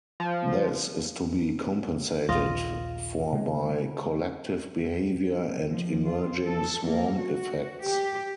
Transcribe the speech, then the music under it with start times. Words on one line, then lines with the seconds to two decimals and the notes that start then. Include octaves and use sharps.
This is to be compensated for by collective behavior and emerging swarm effects.
0.20 F3
2.29 A#1 D#2 F4 D#5
3.33 C#3 G#3
5.69 F3
6.06 F4
6.44 A4
6.86 A#3
7.21 F#4
7.83 G4